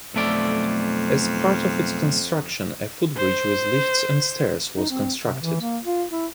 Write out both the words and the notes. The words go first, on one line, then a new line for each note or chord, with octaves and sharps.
As part of its construction, a footbridge with lifts and stairs was constructed.
B1 F2 A3 D5
C5
D#4
C4
C3
E3
A#3
F4
E4